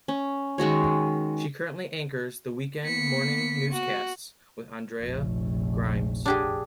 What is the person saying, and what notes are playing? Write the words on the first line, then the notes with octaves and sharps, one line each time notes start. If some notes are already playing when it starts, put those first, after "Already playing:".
She currently anchors the weekend morning newscasts with Andrea Grymes.
C#4
D#3 G#3 F#4 C#5
A#3 B3 B6 C#7
F#4
F1 A#1
D4 G4 G#4